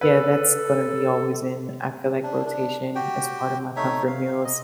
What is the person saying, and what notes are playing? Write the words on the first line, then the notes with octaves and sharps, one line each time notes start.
yeah, that's gonna be always in, I feel, like, rotation as part of my comfort meals,
A4 B4
D4
D4
F#4 G4 G5
A3 D#4 C#5 E5
F5
D#5